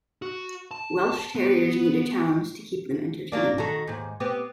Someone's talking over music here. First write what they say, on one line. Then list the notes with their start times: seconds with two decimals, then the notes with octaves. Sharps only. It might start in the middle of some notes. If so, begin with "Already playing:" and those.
Welsh Terriers need a challenge to keep them entertained.
0.22 F#4
0.71 A5
1.35 B3
3.32 F#3 A#3 D4
3.58 D#3 F#4 A4
3.88 D#2 G#2
4.20 B3 C4 G4